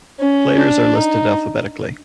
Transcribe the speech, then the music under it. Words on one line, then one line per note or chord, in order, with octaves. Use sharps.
Players are listed alphabetically.
C#4
D4
D#4